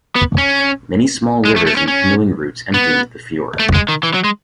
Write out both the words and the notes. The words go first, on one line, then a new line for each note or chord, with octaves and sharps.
Many small rivers and canoeing routes empty into the fjord.
B3
C#4
G#3
A3
A3
C#4
C#4
B3
A3
G#3
D#3
E3
F#3
G#3